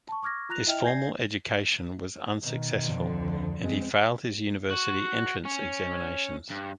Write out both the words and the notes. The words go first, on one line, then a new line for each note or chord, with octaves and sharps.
His formal education was unsuccessful, and he failed his university entrance examinations.
A5 C#6
C#6 D6 F6 G#6 A#6
F4 A#5 F#6 A#6 F7
E4 D#5 E5 G5 F6 F7
D5 G#5 G6 G#6 A#6 C7
B2 D#3
F2 D3 F3
D2
G#3 C4
F#4
C#4
G2